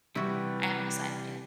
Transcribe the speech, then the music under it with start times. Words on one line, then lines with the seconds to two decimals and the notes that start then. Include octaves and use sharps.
I haven't decided yet.
0.15 C3 E3 G3 E4 F#4 B4 D5 G5